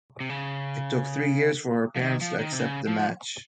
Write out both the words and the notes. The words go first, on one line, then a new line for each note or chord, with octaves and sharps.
It took three years for her parents to accept the match.
C3
C#3
F3
D#3
F3
D#3
C3
C#3
F3